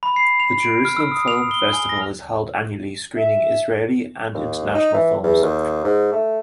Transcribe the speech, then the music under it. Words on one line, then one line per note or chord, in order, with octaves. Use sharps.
The Jerusalem Film Festival is held annually, screening Israeli and international films.
B5
C7
F7
D7
F6
E6
D#6
F7
G7
G#5
A#6
E5
D#2
D#4
E3
E2
D#2
G#2
A3